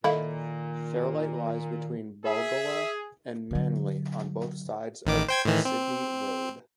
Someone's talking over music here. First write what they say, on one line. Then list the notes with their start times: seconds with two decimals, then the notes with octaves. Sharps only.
Fairlight lies between Balgowlah and Manly on both sides of Sydney Road.
0.04 A#2 D#3 E4 A4 D#5 F5
2.24 G#4 E5
3.51 D3 F#3
5.06 A1 D#3 D6
5.29 C5 G5 G#6
5.45 A2 D#3 E3
5.65 C4